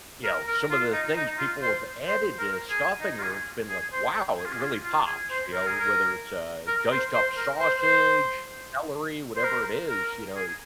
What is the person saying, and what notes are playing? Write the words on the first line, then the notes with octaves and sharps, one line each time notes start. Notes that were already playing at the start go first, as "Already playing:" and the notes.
you know, some of the things people have added to the stuffing where it's been like, "Wow, it really pops," you know, whether it's a diced up sausage, celery, whatever it is, you know,
A#4
A#4
F4
D#4
D#4
F4
C5
C5
A#4
G#4
D#4
F4
G#4
G#4
C5
G#4
F4
G#4
F4
F4
G#4
C5
A#4
G#4
A#4
A#4
C5
C5
A#4
C5
C5
C5
A#4
A#4
G#4